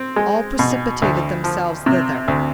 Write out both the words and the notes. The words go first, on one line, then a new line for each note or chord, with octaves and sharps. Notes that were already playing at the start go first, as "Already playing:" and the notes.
All precipitated themselves thither.
Already playing: C4
G#3
B2
D2
F3
C3
D2